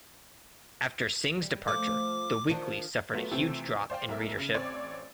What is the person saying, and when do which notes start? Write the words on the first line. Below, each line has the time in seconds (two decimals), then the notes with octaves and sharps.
After Singh's departure, the weekly suffered a huge drop in readership.
1.42 G3
1.68 F3 A3 D6
2.49 D#3 F3 D4
3.13 F#3 A3 B3 F4
3.31 C3 E3 F3 A3 C4
3.90 C5 D5 F5 G5
4.09 B1 A#4 E5
4.38 C#3
4.54 A1 C4 C#5 D5 D6 A6